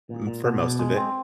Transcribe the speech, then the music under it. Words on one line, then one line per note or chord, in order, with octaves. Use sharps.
mm, for most of it,
A#2
A#2
B2
B2
G#3
C4